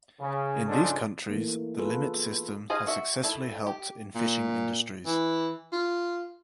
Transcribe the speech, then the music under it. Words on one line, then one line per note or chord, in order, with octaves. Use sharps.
In these countries the limit system has successfully helped in fishing industries.
C#3
G#2 C#3 F3 G#3 D4 A4
E3 A3 A#3
B3 F4 G#4 A4 B4
G#4 C5 D#5 F5 G#5
F#4 E5
A3 E4
G4
A#2
E3
F4